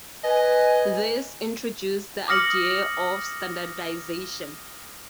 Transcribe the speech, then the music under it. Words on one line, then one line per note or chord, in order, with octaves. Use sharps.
This introduced the idea of standardization.
B4 D#5 G#5
D6 D#6 F6 A#6 C#7 F#7